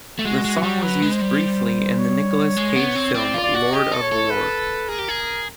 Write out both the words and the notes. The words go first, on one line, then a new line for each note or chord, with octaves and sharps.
The song was used briefly in the Nicolas Cage film "Lord of War".
A3
G#3 F#4
G#3
F#3
G3
F#3 B4
G#3
C5
G3
C#5
G#3
B3
C4
C4 D5
F4
D5
F#4
G4 D#5
A4
C#5
A4
B4
G#4 A#4
G4
G#4